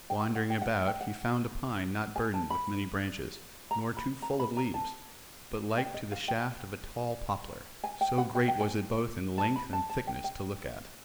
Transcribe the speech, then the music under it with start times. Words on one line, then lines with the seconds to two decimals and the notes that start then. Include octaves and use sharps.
Wandering about he found a pine not burdened with many branches, nor too full of leaves, but like to the shaft of a tall poplar; so great was it both in length and thickness to look at.
0.10 G5
0.35 F#5
0.50 G5
0.62 F#5
0.74 G5
0.87 G5
1.01 F#5
2.16 G#5
2.34 A5
2.50 B5
3.71 A#5
3.97 B5
4.22 A#5
4.40 B5
4.57 A#5
4.74 A5
5.78 G5
5.94 D#5
6.12 F5
6.28 G5
7.84 G#5
8.01 G5
8.18 F#5
8.35 G5
8.48 G5
8.61 G#5
9.38 A5
9.56 B5
9.73 A5
9.90 A5
10.07 G5
10.24 G5